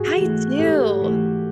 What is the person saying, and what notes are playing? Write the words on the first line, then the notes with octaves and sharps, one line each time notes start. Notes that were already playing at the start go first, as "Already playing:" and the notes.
I do.
Already playing: G#2 F#4 G#4
E3 A3
G#2 G4 A4
E3 A3